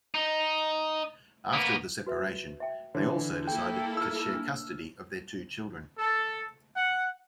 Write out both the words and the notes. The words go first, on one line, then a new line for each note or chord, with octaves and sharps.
After the separation, they also decided to share custody of their two children.
D#4
A#3 B3
F#4 B4 E5
E5 G5
D3 E3 C#5
A#3 E4 A4 G5
E6 F6
D4
A4
F#5